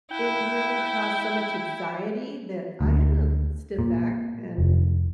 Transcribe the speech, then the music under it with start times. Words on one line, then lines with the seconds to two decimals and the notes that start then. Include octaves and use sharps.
it really caused so much anxiety that I had to step back and
0.11 E4 G5
2.81 D2
3.79 A#2
4.58 F1